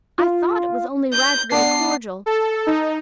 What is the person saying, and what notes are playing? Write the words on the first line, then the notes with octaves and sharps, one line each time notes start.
I thought it was only raspberry cordial.
F4
G6
B3 D4 C7
A4
D#4